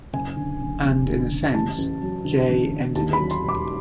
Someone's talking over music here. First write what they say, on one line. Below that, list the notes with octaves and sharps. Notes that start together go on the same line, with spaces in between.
And in a sense, "J" ended it.
F#1 G#5
D3
F#1
F2
D3
F#1
A1 A5
A1
F#3
D3
A1
D3
D#2 A5
B5
F#3
C6
E1
D6